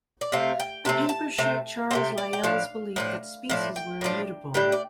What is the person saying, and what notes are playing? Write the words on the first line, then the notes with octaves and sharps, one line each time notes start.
The paper shook Charles Lyell's belief that species were immutable.
D5
C3 A3 C4 F5
G5
C3 A3 C4 A5
A5
C3 A3 C4
C3 A3 C4 G5
D5
G5
A2 F3 D4 F5
A2 F3 D4
A2 F3 D4
G5
A2 F3 D4
A2 G3 D4 G5
D5